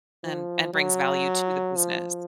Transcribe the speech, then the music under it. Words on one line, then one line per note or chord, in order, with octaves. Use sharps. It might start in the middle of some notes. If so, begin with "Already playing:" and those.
and and brings value to the business.
F3
F#3
F3